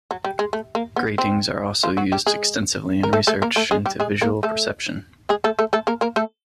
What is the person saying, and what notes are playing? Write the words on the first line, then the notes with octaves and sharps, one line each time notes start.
Gratings are also used extensively in research into visual perception.
F#3
G3
G#3
A3
A#3
B3
C4
F3 F4
F#3 F#4
G3 G4
G#3 G#4
A#4
A3 A4
A3 A4
A#3 A#4
A3 A4
G#3 G#4
G3 G4
G#3 G#4
A#3 A#4
A3 A4
G#3 G#4
A3 A4
A3 A4
A3 A4
A#3 A#4
A#3 A#4
A3 A4